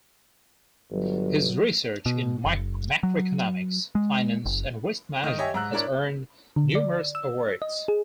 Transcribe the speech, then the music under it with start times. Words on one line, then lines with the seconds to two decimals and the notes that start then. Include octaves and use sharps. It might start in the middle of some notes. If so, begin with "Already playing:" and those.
His research in macroeconomics, finance, and risk management has earned numerous awards.
0.91 G1 F#3
2.06 B2
2.45 F#1
3.03 F#3
3.95 G#3
4.45 F#1
5.24 D#3 D#5 D#6
5.38 G4 C#5 D#5 E5 G#5
5.54 G#2 A#5 E6 F#6
5.73 D4 E4 A#4 C#5 D5
6.56 D3
6.75 D5
7.15 E6
7.62 D#5
7.88 G#4